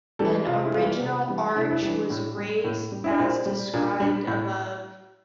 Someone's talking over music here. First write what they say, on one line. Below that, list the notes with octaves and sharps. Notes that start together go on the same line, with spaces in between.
An original arch was raised as described above.
E3 G3 A4
C3 F4
E4
E3 G3 F4
C3
E3 G3
C3 E4
D4
E4
E3 G3 D4
A2
G3
A2
G3
E4
D4
A#2 C4
G3
A#2 D4
G3 D4
A2